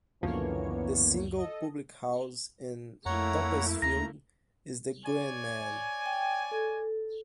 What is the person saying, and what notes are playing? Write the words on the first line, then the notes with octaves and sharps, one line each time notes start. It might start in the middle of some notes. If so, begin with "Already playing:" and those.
The single public house in Toppesfield is the Green Man.
C#2 F#2 D3 E3 F3 A#3 B3 C#5
A4 D#5
F2 A3 A#3 E4 C#5 F#5 A#5
D#2 A#5 A#6
C#5 D5 G#5
G5
A4